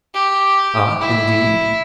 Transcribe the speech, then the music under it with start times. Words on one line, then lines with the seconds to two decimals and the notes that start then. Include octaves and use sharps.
"Ah, indeed?"
0.14 G4
1.01 E4